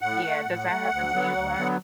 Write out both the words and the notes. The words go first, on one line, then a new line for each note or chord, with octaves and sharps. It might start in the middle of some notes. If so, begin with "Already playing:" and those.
yeah, does that happen to you a lot?
A2 F#5
A3
A2
A3
D2
D3 F#3 B3
D2
D3 F#3 B3